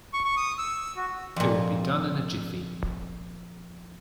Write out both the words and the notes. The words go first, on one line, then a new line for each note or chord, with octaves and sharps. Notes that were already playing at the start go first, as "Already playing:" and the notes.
It will be done in a jiffy.
C#6
C#6
D#6
E6
F#4
F2 A#2